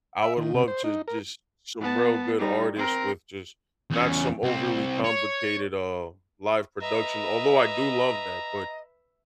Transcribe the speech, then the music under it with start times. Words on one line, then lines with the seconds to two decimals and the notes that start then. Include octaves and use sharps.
I would love to just Some real good artists with just not some overly complicated, uh, live production, although I do love that, but
0.23 E5
0.37 D#3
0.54 C3
0.68 C5
0.84 D#4
1.08 A#4
1.80 B3 A5
2.38 G3 D#4
2.75 C4 A#4
3.91 E2 C#4
4.43 C2 C4
5.04 C#5
6.82 B4 D#5 E5 A#5